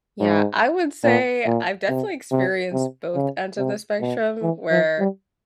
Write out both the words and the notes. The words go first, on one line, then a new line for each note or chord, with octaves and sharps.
Yeah, I would say, I've definitely experienced both ends of the spectrum, where
G#2
A#2
A#2
C3
C3
C3
C#3
C3
B2
E3
F3
G3